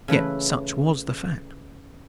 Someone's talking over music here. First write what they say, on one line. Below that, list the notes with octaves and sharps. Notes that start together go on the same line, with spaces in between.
Yet such was the fact.
C#3 E3 A3 B4